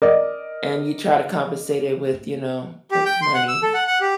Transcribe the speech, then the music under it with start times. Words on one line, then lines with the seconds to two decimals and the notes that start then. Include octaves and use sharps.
and you try to compensate it with you know, with money.
0.02 A#4 D5 D#5
2.91 G4
3.06 G5
3.22 C6
3.34 F#5
3.48 E6
3.62 A4
3.74 F#5
3.87 F#5
4.01 G4